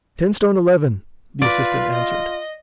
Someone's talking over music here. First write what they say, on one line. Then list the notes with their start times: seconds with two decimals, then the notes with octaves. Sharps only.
"Ten stone eleven," the assistant answered.
1.42 F4 B4 D5
1.93 D#5